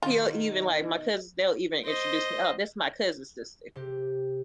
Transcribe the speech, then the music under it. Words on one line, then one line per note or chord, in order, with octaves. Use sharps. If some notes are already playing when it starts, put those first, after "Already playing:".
He'll even like my cousins, they'll even introduce me, "Oh, this my cousin-sister,"
B2 D#3 D#4 F4
C5 D#5
C3 G4